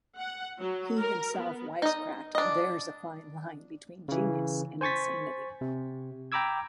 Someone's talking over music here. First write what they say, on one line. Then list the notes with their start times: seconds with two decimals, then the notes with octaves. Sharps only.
He himself wisecracked There's a fine line between genius and insanity.
0.17 F#5
0.59 F#3
1.00 A#4
1.36 B3
1.82 D#4 D#5
2.35 D4 D#5
4.08 C#3 E3
4.81 C5 G#5 C#6 A6 B6
5.61 C3
6.32 G5 A#5 B5 D6 E6 G#6